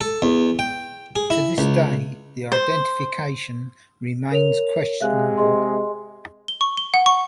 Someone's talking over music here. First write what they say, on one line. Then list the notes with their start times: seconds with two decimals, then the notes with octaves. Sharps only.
To this day, the identification remains questionable.
0.01 A4
0.22 E2
0.59 G5
1.16 G#4
1.30 E4
1.58 C#2
2.52 C5
4.32 A#4 C#5 F7
5.01 C3 G#3 E5 F5 F#6
5.38 G#4 D#5 C6
6.48 G7
6.61 C#6
6.77 G7
6.94 F#5
7.06 C#6